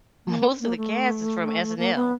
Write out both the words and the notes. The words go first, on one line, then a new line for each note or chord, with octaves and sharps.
most of the cast is from SNL.
A#3
A#3
A3
A#3
B3